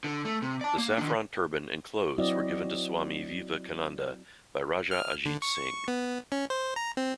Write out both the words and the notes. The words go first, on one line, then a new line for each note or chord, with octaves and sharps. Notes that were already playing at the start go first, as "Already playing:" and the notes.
The saffron turban and clothes were given to Swami Vivekananda by Raja Ajit Singh.
D3
A3
C3
D5 A5
A#3
D#3 D4
F#3 C4 E4 F#4 D5 D#5
F6
D3
C#6
B3
C#4
C5
A#5
C4